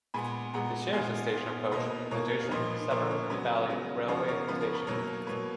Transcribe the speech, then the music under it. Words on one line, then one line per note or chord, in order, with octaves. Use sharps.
It shares its station approach with the adjacent Severn Valley Railway station.
A#2 G#3 B3 G#5 B5
A#2 G#3 B3 F#5 A#5
A#2 G#3 B3 F5 G#5
A#2 G#3 B3
B2 A#3 B4 D#5
B2 A#3 A#4 C#5
F5
A#2 F3 A#3 B4 D#5
A#2 F3 A#3 A#4 C#5
A#4 C#5
C#3 F#3 B3 B4
C#3 F#3 B3
C#3 F3 B3 C#5 F5
A#4 C#5
C#3 F3 B3 B4
A#4
B4
B2 F#3 A#3 A#4 C#5
B2 F#3 A#3 B4